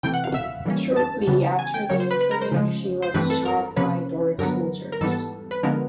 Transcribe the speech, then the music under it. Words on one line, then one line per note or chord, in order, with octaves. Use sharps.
Shortly after the interview she was shot by Derg soldiers.
C3 E3 A3 G5
F#5
F5
E5
A2 E3 G3 A#3 C#4
A5
C#3 E3 G3 B3
G#5
G5
C#3 F#3 A#3 C#5
C5
B4
B4
A#4
C5
C#3 F3 G#3
C5
G2 E3 A3 C4 B4
A4
A#4
C3 F3 A#3 C#4 B4
G2 D3 F#3 B3 A#4
A#4
G#2 E3 G3 B3 A4
A4
B4
D3 F3 G#3 B3 A#4